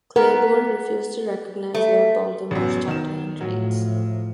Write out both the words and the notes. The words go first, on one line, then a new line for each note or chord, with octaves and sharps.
Claiborne refused to recognize Lord Baltimore's charter and rights.
B3 A#4
A3
A1 F#2 B3
D#3 E7
A2 F3 F#3